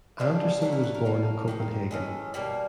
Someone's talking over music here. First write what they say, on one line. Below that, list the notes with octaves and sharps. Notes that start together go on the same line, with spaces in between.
Andersen was born in Copenhagen.
E3 G3 A#3 D4 A4
G#4
D3 F#3 A3 D4 A4
A#4
B4
A#4
F3 A#3 C#4
D#3 G#3 C4
E3 G#3 C#4 A4
B2 G3 A#3 D5